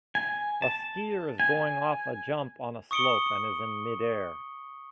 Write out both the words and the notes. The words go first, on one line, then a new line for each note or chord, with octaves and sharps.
A skier is going off a jump on a slope, and is in midair.
G#5
A5
G#5
C#6 D#6 C#7 D7 G7